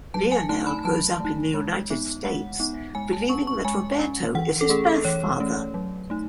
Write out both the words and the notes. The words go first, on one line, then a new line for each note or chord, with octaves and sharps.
Leonel grows up in the United States believing that Roberto is his birth father.
F#3 A5
G#5
A3 D#4 A5
B5
F#3 A5
A3
D#4
G#3
B3 D#4
G#3 F#5
B3 D#4
G#3 G#5
A5
C#4 C#6
C#6
G#3 G#5
C#4
E3 F#5
A4
A3 C#4 G#4
A4
E3 C#5
A3 C#4
F#3
A3 D#4